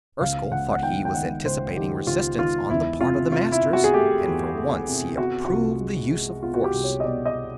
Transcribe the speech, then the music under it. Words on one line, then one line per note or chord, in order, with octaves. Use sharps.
Erskyll thought he was anticipating resistance on the part of the Masters, and for once he approved the use of force.
C#2 F5
C#2 F#5
F#5
D#3 G5
G5
D#3 F#5
C#2 C5
D#3 G4
C#2 F4
D#3 F4
E2 E4
C3 F4
C3 F4
E4
C3
F#4
G#4
A3 G4
E2
A3
C3
B3 F#4
F#4
C2 F4
G#3
G#3
B3 F4
F#4
G4
C2
C#5
D#5
B2 D5
D#5